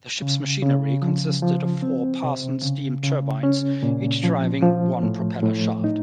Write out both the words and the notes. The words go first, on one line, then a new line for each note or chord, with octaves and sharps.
The ship's machinery consisted of four Parsons steam turbines, each driving one propeller shaft.
C#3
C#3
F3
F3
C4
C3
C#3
C#3
C#4
A#2
F3
F3
A2
A2
D#4